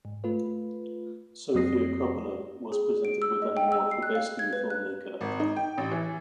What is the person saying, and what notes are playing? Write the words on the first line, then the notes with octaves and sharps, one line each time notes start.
Sofia Coppola was presented with an award for Best New Filmmaker.
G#2
A3 F4 B4
F2 F#3 C4 D#6 A#6 C7
G#4
D7
E6
D#5
G5
E6
C7
F#6
F5
G#6
B4
F#6
G#1
D#4
G5
A1
E3